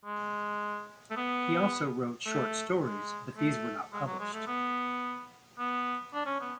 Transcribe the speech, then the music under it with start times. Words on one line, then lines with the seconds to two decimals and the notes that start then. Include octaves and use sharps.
He also wrote short stories but these were not published.
0.05 G#3
1.11 A3
1.16 B3
2.26 A3
2.81 G#3
3.37 A3
3.93 G#3
4.05 F#3
4.19 G#3
4.33 A3
4.47 B3
5.58 B3
6.13 D4
6.26 C#4
6.40 B3